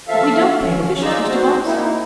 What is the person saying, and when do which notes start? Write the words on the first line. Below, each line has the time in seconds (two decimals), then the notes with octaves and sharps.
"But we don't pay the bishops, Mr. Bunce."
0.08 F3 A4 E5 F5
0.61 C#4
1.02 D#4 F4 G#4 D5 A#5 E6
1.29 F#4 C5
1.64 A#3 D#4 E4